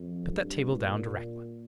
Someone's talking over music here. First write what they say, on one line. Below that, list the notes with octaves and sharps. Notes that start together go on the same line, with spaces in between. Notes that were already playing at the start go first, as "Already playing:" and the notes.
"Put that table down directly."
Already playing: F2
G2
A#2